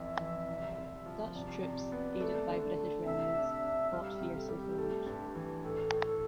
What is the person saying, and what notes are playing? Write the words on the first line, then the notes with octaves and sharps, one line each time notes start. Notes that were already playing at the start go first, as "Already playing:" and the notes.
Dutch troops, aided by British remnants, fought fiercely for a week.
Already playing: F2 E3 E5
E3
C2
C2
F3
C3 D5
C3
B3
A3
D3
A3
C3 E5
D4
E5
D4
G3 F5
E5
C3
G4
A4
G3
G4
A3
G2
E3
A2 A4
A2
A4